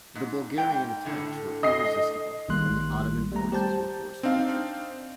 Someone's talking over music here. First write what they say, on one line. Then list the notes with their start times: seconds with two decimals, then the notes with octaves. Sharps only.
The Bulgarian attacks were irresistible and the Ottoman forces were forced to retreat.
0.15 G#2
0.58 G#2 G5
1.05 A2 D3
1.63 D#5 C7
2.48 A#1 D#3 G3 A#3 C6 F#6
3.32 G3 A3 B3 A#5
3.52 G4 C5 A5 G6
4.23 C4 D4 D#4 F5